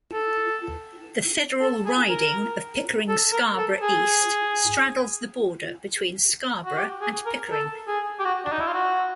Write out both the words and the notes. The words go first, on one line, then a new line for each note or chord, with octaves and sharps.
The Federal riding of Pickering-Scarborough East straddles the border between Scarborough and Pickering.
A4
A4
G#4
A#4
A4
A#4
A4
G#4
F#4
G4
G#4
A#4
A4
G#4
G4
F#4
D4
D#4
E4
F4
F#4